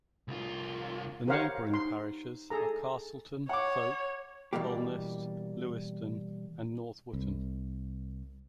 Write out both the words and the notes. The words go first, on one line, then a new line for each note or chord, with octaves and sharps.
The neighbouring parishes are Castleton, Folke, Holnest, Leweston, and North Wootton.
C2 F4
G4 A#4 C5 C#5 F5 F#5
D#4 C6
G#4 A4 A#5
C#5 F#5 D6
B2 E3 G3 A#3 G4
C2